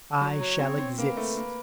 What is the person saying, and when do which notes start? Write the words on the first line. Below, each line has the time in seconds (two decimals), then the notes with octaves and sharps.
I shall exist.
0.21 F#3 C#5
0.40 F#3
0.59 C4
0.79 C4
0.98 A#3 B4
1.17 A3
1.37 A#3